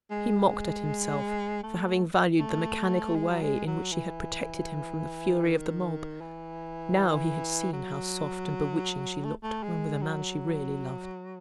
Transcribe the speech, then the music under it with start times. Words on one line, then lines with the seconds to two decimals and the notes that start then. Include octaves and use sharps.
He mocked at himself, for having valued the mechanical way in which she had protected him from the fury of the mob; now he had seen how soft and bewitching she looked when with a man she really loved.
0.11 G#3
1.63 A3
2.39 A3
3.15 G#3
3.29 F#3
3.41 G#3
3.67 F#3
3.92 E3
5.44 D#3
6.21 E3
7.73 F#3
9.25 A3
9.43 A3
9.63 G#3
10.01 F#3